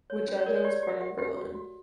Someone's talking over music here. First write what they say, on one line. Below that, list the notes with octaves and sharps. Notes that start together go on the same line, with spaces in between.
Widjaja was born in Berlin.
C#5
C#4
C#5
A#4 D5
C#5
G4 D5
D5
G4
E5
G4 F#5
G4
F#4
F#4